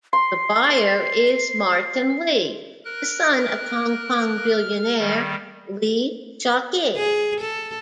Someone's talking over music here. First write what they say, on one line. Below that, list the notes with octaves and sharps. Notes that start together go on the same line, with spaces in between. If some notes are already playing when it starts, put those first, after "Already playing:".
The buyer is Martin Lee, the son of Hong Kong billionaire Lee Shau-kee.
C6 C7
A#4 F#6
F6
D#3 G3
G#4
A4